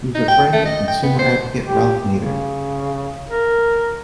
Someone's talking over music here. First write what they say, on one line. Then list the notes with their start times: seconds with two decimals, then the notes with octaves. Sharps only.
He was a friend of consumer advocate Ralph Nader.
0.15 D#4
0.28 G5
0.53 A3
0.65 D#5
0.88 G5
1.03 B3
1.19 C5
1.65 G4
2.16 C#3
3.30 A#4